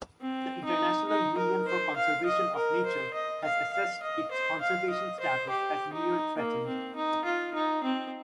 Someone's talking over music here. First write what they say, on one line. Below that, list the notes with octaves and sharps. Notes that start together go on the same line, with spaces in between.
The International Union for Conservation of Nature has assessed its conservation status as "near-threatened".
C4
D#4
D#4
A#4
C5
F5
D#5
A#4
C5
D#5
F5
F5
D#5
C5
F5
D#5
C5
G4
D#4
A#3
C4
D#4
F4
D#4
C4